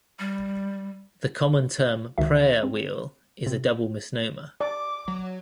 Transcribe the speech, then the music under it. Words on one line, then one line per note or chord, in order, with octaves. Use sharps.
The common term, "prayer wheel" is a double misnomer.
G3
C#2 D#3 F#4 E5
C4
C3
D5 D6
F#3